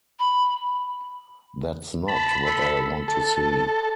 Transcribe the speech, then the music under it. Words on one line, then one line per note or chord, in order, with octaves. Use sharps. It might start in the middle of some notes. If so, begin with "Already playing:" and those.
That’s not what I want to see.
B5
A5 B5
A4
A4